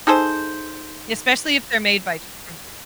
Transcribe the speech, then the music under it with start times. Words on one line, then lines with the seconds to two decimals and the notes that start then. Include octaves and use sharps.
especially if they're made by J from J
0.07 D#4 G#4 A4 C5